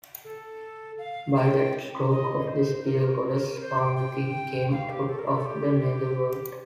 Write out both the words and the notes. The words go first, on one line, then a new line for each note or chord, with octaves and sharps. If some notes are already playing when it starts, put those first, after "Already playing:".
By that stroke of the spear, Goddess Parvati came out of the Nether World.
A4
F5
G5
D#5
C5
A#4
C5
G5
G5
F5
G4
A4
A#4
G4
A4
G4